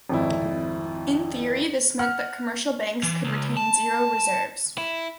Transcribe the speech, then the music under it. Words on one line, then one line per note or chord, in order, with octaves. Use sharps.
In theory this meant that commercial banks could retain zero reserves.
G#1 F2 E4
F#5 F6
E3
C#2
A5
E4